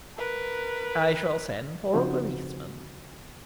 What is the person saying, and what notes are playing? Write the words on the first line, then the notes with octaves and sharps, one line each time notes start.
"I shall send for a policeman."
A#4 B4
C#3 F3 C4 D#4 F#4 C5